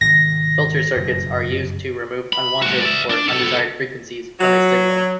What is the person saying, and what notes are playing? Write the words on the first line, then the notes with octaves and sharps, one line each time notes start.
Filter circuits are used to remove unwanted or undesired frequencies from a signal.
G#1 C3 D#3 A#6
F#1 G2 B2
B5
G#3 F#4
D5 E5
D4
B3 A4
F#3